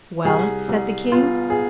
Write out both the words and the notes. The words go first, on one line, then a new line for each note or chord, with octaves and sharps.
"Well?" said the king.
C2 G#4
C2
B3 F4
G#4